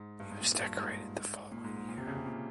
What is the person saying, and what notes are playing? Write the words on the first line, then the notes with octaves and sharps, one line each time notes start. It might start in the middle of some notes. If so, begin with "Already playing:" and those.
He was decorated the following year.
Already playing: G#2
G2
G#2
A#2
G2
G#2
A#2
G#2
G#2
A#2
C3
C#3
C3
A#2